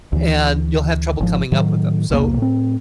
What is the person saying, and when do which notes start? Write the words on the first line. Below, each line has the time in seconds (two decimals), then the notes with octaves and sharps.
And you'll have trouble coming up with 'em, so
0.12 D2 E3
1.20 G#1 F3
1.52 A2 D#3 F#3
2.10 B1 E2 C3 A#3
2.38 A2 C4